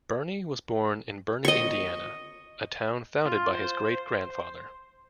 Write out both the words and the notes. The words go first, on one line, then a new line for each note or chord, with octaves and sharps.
Burney was born in Burney, Indiana, a town founded by his great-grandfather.
D#5 C#6
F4
C5